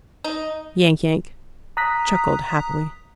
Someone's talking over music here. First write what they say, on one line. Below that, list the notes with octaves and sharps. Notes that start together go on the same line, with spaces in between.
Yank-Yank chuckled happily.
D#4
A#5 D#6 F#6 B6